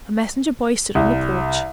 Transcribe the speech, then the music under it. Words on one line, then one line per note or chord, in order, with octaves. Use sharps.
A messenger boy stood on the porch.
C2